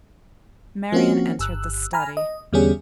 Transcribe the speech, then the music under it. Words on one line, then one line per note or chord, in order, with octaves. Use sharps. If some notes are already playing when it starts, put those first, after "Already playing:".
Marian entered the study.
F3 A#3 C4 C#4 F#4
G1 E6 F#6
G#5 A#5 B5 F6
D#5
E2 D3 G3 B3 C#4 G#4